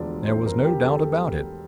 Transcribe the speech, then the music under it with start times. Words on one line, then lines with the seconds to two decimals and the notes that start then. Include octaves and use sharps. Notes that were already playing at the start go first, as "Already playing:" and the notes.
There was no doubt about it.
Already playing: E1 D2 D3 F3 D5
0.25 C5
0.46 A#4
0.65 G4
0.80 A#4
0.85 A4